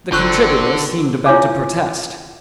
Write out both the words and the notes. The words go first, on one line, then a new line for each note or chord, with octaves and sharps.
The contributor seemed about to protest.
F#1 D3 C4 F4 C#6 F#6
E4 F4 C#5 F5 G#5 D6